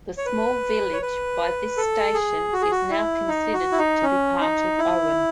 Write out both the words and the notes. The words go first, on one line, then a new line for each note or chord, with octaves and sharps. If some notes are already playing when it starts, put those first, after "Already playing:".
The small village by this station is now considered to be part of Owen.
C#5
B4
C#5
B4
A4
G#4
F#4
G#4
F#4
E4
D#4
F#4
E4
D#4
C#4
D#4
E4